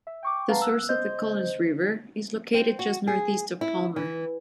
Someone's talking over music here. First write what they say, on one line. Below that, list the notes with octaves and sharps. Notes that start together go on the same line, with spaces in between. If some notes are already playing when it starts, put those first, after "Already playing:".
The source of the Collins River is located just northeast of Palmer.
E5
G5 C#6 D6
B4 F5 F#5 A5 A#5
E6 F#6
C5 D#5 G6
C4
F#4
G#4
E4
E3